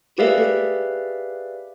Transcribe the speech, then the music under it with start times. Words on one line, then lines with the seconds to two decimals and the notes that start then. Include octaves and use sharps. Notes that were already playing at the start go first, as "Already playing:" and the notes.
It it
0.18 G4 G#4 B4 D5 E5 F5